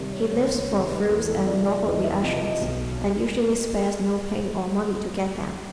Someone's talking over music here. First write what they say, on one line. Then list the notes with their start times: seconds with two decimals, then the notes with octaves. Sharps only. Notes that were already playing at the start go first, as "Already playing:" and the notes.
He lives for thrills and novel reactions and usually spares no pains or money to get them.
Already playing: C3 D#3 G3
0.13 C#5
0.32 C#2 C#5
0.57 C#5
0.71 C3 D#3 G3
0.83 B4
1.09 E2 A4
1.28 A4
1.46 C3 F3 D5
1.66 D5
1.85 E2 D#5
2.04 E5
2.23 C3 F3 D#5
2.42 D#5
2.61 B1